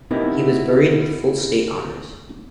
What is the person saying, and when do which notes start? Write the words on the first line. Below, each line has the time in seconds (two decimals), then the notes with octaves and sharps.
He was buried with full state honours.
0.11 B3 C4 D#4 E4 G4 A#4